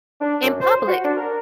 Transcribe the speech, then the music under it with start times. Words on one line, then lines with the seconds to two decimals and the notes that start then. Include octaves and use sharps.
In public.
0.20 D4
0.43 F#2
0.60 C5
0.87 F#4
1.04 D4
1.17 A#4